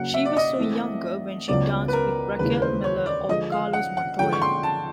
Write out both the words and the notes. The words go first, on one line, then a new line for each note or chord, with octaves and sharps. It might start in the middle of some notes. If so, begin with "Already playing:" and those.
She was so younger when she dance with Raquel Meller o Carlos Montoya.
Already playing: C#3 F#3 A#3 C#4 F#4 F#5
E5
D5
D#5
E3 A3 C4
C#2 C#3 F#3 B3 D5
B4
A#4
D#2 C#3 E3 G#3 B4
C5
C#5
D5
D3 F3 G#3 D#5
F5
F#5
F#5
D3 F3 G#3 G5
C#6
C6
A5